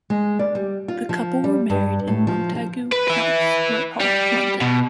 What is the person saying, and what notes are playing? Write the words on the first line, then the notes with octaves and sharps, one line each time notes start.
The couple were married in Montagu House, Whitehall, London.
G#3
D5
G3
F4
F3
G3
G2
A2
F3
F3
B4
B4 E5
G3
B2